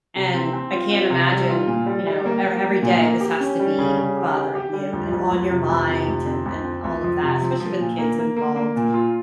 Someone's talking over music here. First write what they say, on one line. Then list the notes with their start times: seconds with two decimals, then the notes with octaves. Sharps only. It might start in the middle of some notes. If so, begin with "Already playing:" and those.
and I can't imagine, you know, ever every day this has to be bothering you, and on your mind, and and all of that especially with kids involved,
0.15 C3
0.34 C4
0.53 C4
0.72 F4
0.91 C4
1.10 C3
1.29 G3
1.49 F4
1.67 A#2
1.86 G3
2.07 G3
2.25 A#3
2.44 A#3
2.64 A#3
2.82 A#2
3.01 A#3
3.21 G4
3.40 C#4
3.59 G3
3.78 C#3
3.97 C#3
4.17 G4
4.35 G4
4.55 G4
4.73 G3
4.93 F2
5.12 F2
5.31 F2
5.50 C3
5.69 F2
5.89 C3
6.08 F2
6.27 C4
6.46 F2
6.64 C4
6.84 F2
7.04 F3
7.22 C3
7.42 F3
7.60 F3
7.80 A#2
7.98 A#3
8.19 A#3
8.36 A#3
8.56 A#3
8.76 A#2
8.94 F4